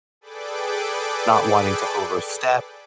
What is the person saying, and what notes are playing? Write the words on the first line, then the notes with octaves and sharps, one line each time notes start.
not wanting to overstep,
G#4 A4 B4 D5 G5 D6